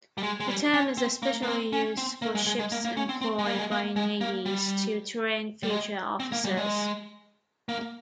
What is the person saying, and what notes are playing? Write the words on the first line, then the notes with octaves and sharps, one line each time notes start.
The term is especially used for ships employed by navies to train future officers.
G3
G#3
G#3
G3
C#4
C4
A#3
A#3
C4
C#4
C4
A#3
G#3
G#3
G#3
A#3
A#3
C#4
C4
C4
G#3
A#3
G3
G#3
A#3
G#3
A#3
G3
G3
G#3
C4
A#3
G3
G#3
A#3